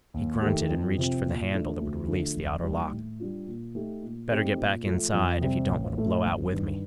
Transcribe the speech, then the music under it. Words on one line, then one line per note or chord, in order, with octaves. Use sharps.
He grunted and reached for the handle that would release the outer lock. "Better get back inside if you don't want to blow out with me."
D#2
D#3 A3 D#4 G4
F2
C3 F3 C4
A#2
F3 A3 D4
D2
D3 F3 A3
F1
D#2 D#3 G3
A2
G3 D4 F4
A#2
A3 D#4 G4
A#2
A3 C4 D#4 G4
A#2
F3 A3
F2
C3 G3 C4
A1
A2 A3
G1
G2 D#3